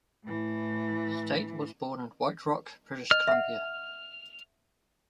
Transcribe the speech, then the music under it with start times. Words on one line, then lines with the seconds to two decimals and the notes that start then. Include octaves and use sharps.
Staite was born in White Rock, British Columbia.
0.24 A2 E3
3.11 D#5 F6
3.28 E5 F#5